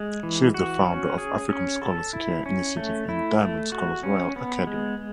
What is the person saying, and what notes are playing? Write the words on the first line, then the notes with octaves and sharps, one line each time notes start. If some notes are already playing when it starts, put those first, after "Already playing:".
She is the founder of African Scholars Care Initiative and Diamond Scholars Royal Academy.
Already playing: G#3
E3
F#4
C#4
G#4
C#4
A4
E4
C#4
A3
E4
A3
F#4
C#4
B3
G#3